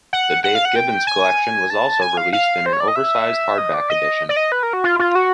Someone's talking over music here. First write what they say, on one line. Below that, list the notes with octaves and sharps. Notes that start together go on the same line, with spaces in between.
The Dave Gibbons Collection was also released in an oversized hardback edition.
F#5
F#5
F5
F#5
G5
G#5
A5
G#5
F5
F5
C5
C#5
D5
D#5
E5
D#5
D5
D#5
D5
D#5
B4
A#4
F#4
F4
F4
F#4